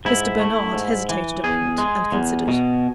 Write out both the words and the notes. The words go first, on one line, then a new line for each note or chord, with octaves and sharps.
Mr. Bernard hesitated a moment, and considered.
G#2 E4
A3
G#2
E3
E2 G#4
G#3
E2
B2